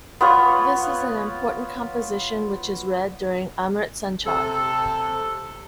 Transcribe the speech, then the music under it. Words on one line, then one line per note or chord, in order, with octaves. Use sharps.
This is an important composition which is read during Amrit Sanchar.
B3 F4 C#5
C3 A4